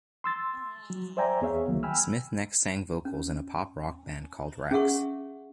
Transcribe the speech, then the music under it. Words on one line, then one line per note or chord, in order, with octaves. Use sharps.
Smith next sang vocals in a pop rock band called Rex.
C6 E6 A6
F#3
C5 D5 E5 G5 G#5 A#5
E2 B3 G#4 C#5 E5 F5
C2 D#3 F#3 A#3
G5 G#5 B5 E6 F6
C#4
C#4 G#4 E5 F#5 C#6